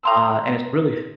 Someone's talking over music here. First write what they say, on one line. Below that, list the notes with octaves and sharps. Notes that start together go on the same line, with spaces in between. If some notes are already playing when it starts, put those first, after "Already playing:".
uh, and it's really
A#5 C6 E6